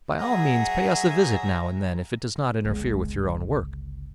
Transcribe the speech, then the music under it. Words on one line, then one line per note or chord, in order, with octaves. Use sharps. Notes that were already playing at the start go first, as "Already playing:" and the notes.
By all means pay us a visit now and then, if it does not interfere with your own work.
F#3 G#4 E5 F#5 A#5
G1 C#2 G#3